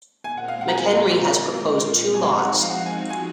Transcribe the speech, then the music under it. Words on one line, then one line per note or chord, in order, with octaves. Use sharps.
McHenry has proposed two laws.
A#2 G#3 C4 F4 A#4 G#5
F#5
F5
F#5
A#5
G#5
A#5
F3 G#3 C4 D#4 F#4 G#5
F#5
F5
F#5
F5
G#5
G#5